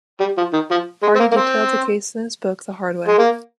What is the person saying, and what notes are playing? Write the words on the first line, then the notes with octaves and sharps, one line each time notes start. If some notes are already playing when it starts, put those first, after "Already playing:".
Hardy detailed the case in his book "The Hard Way".
G3
F3
D#3
F3
G#3
C4
A#3
A#3
C4
G#3
A#3